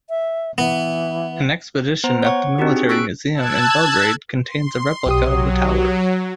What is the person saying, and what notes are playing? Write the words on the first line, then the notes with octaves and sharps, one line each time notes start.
An exhibition at the Military Museum in Belgrade contains a replica of the tower.
E5
E3 B3
B3 C5 A#5
C#5 F#5 C#6
C4 D4 D#4 F#4 G4
G#4
C#6 E6 F#6 B6 D7
A5 E6 F#6 G#6
C6
B1 F#3 G4 D#6